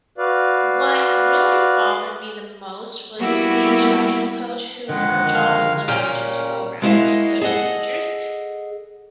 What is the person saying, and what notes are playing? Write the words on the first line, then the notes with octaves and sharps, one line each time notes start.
what really bothered me the most was the instructional coach, who- her job was literally just to go around and to coach the teachers-
F#4 B4 D5 F5
G3 A#3 B3 E4 F#4 G4
D3 D#3 F3 G#3 F#5
F5
A#2 C#4 A#4 G5
G#3 A#3 E4 F#4 D#5 F5
G#4 A4 D#5 F#5